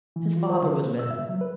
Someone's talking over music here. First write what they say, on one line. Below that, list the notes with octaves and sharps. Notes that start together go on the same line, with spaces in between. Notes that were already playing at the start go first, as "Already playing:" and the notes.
His father was with him.
E3
F4
C5
D3
A#3
E6
E5
F#3
B4